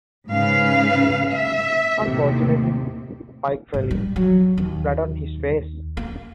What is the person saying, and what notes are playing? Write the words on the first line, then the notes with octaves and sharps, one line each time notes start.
Unfortunately, Pike fell in, flat on his face.
G#2 C#3 B4 F5
E5
D#2 A2 C3
G#1
G3
F#3
D#2
A#3